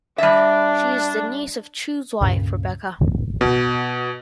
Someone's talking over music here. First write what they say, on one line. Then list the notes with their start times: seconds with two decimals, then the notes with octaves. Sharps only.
She is the niece of Choo's wife, Rebecca.
0.18 G3 D4 E5
2.21 C#2 G2 A#2 C#3
3.41 B2